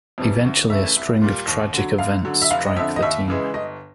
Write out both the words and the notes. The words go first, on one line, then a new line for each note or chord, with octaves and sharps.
Eventually a string of tragic events strike the team.
F2 C3 E3 G3
D2
C#3 E3 A3 E5
C2
A#2 G3 A#3
D#2
D3 F#3
F#2 F5
D3 F#3
E5
F1 F5
D#5
F2 D3 E5
D#5
D#2 E5
C#3 E3 G#3
G1 D#5